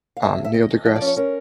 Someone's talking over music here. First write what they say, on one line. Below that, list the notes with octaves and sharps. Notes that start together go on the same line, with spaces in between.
um, Neil deGrasse
F5
C3 E5
D2
E5
C3 D#5
D2
F3 D#5
D5
C#4
C#5
C#4 A#4